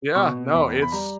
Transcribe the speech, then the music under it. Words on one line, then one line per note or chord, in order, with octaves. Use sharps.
Yeah, no, it's
B2 C#6
E2 B5
B5
G3 A#5